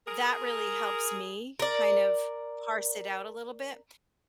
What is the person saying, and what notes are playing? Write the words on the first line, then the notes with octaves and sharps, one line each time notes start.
that really helps me kind of parse it out a little bit,
G#4 A#4
A#4 D5